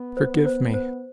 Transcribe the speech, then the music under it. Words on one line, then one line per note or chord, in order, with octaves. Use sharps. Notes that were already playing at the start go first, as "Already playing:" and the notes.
"Forgive me!"
Already playing: B3
C5
C5
C5